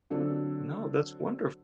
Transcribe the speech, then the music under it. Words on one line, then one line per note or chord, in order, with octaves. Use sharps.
No, that's wonderf
D3 F#3 C4 D4 A4